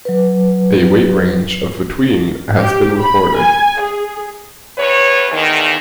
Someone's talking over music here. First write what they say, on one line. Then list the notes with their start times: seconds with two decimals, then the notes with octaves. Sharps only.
A weight range of between has been reported.
0.05 F#3 B4
2.60 G4
3.01 B5
3.38 G#5
3.81 G#4
4.78 E2 B4 C#5
5.32 E2 D#3